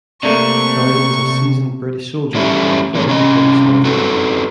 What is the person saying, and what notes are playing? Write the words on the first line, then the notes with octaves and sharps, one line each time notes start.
Thousands of seasoned British soldiers were deployed to British North America.
C3 A3 A#3 D4 C#6
E3 G3 A3 C#4 E4
E3 G#3 A#3 C4 C#5
C3 C#4 D#5
C4 F#4 A4 B4